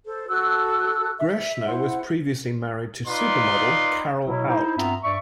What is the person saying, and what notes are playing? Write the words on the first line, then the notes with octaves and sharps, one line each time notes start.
Greschner was previously married to supermodel Carol Alt.
A4 C5
F#4 A4 E6 F#6
E5
E4 C5 F#5
D#4 F4 B4 D5 C6
B2 F#3 E4
D#4 E4 C5
G2 B3 C4 F4 E5 A#5
G2 D5 E5 C#6